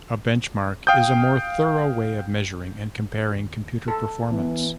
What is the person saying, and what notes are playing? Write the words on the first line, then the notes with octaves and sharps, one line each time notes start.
A benchmark is a more thorough way of measuring and comparing computer performance.
F5 G5 D#6 G6
D#2
A4
E3 B3